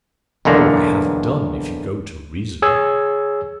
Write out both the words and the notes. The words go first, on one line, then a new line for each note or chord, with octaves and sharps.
Oh, I have done if you go to reason!
B1 E2 D3 A#3
G#4 C#5 E6 G#6